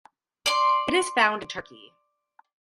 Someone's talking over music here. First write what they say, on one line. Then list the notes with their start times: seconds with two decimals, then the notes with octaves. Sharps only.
It is found in Turkey.
0.46 D5 C6